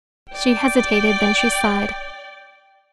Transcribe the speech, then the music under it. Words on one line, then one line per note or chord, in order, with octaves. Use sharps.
She hesitated; then she sighed.
D5 G5